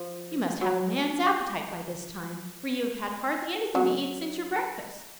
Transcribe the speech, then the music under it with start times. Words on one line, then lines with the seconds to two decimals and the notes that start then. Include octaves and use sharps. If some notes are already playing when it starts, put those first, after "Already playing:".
"You must have a man's appetite by this time, for you have had hardly anything to eat since your breakfast."
Already playing: F3
0.61 F#3
3.75 F#3